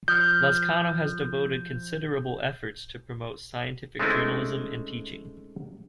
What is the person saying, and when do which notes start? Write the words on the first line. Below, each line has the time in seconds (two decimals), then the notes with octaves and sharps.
Lazcano has devoted considerable efforts to promote scientific journalism and teaching.
0.08 F3 G6
3.99 G#3 A3 C4 C#4 D#4 E4